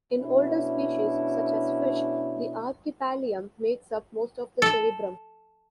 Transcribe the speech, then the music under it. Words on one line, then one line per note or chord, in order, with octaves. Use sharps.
In older species, such as fish, the archipallium makes up most of the cerebrum.
B2 C#4 D4 E4
A4